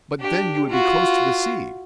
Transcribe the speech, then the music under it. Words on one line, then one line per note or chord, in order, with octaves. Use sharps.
"But then you would be close to the sea?"
D4 G4
F4 F#4